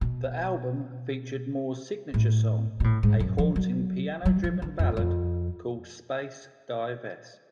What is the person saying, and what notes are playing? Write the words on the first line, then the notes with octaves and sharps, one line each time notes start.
The album featured Moore's signature song, a haunting piano-driven ballad called Space-Dye Vest.
B2
A2
B2
A2
G#2
F#2
F3
F#3
F#3
F3
D3
F2
F2